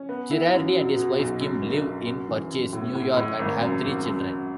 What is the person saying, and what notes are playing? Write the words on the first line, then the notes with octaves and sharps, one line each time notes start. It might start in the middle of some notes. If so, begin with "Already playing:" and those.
Girardi and his wife Kim live in Purchase, New York, and have three children.
Already playing: C#4
B3
E4
F#2
F#3
B2
B1
F#2
F#1
F#1
F#2
E3
F#2
A2
A2
A2
G#1
F#2
G#1
F#2
F#2